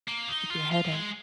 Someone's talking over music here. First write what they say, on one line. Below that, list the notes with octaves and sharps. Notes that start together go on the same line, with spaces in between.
Keep your head up.
A#3
D#4
F4
F4
F#3
G#3